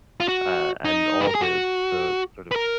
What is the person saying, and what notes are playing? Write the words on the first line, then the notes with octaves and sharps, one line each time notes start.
uh, and all the the sort of
F4
F#4
D#4
B4
A#4
G#4
F#4
B4
A#4